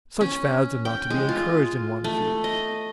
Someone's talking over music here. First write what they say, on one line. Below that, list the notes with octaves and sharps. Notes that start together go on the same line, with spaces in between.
Such fads are not to be encouraged in one's youth.
C#4
G5
G#3
F4
A3
D#5